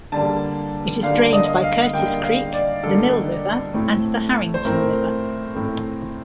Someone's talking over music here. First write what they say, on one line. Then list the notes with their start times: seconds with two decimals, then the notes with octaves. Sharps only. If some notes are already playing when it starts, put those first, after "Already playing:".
It is drained by Curtis Creek, the Mill River and the Harrington River.
0.12 D3 G3 A#3 A5
1.03 D3 G3 A#3 F5
1.33 D#5
1.63 F5
1.93 D3 G3 A#3 G5
2.24 F5
2.53 D5
2.83 D3 G3 A#3 A4
3.74 A2 A3 C4
4.54 C5
4.65 A2 A3 C4 A#4
5.55 A2 A3 C4